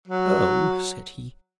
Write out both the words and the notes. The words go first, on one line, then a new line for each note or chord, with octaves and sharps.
"Oh!" said he.
F#3